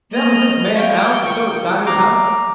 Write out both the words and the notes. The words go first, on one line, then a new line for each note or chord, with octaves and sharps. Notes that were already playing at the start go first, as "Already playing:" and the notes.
"Is that what this man Alf was so excited about!"
A#3 D#5 F6
F5 G5 C#6
A#5 D6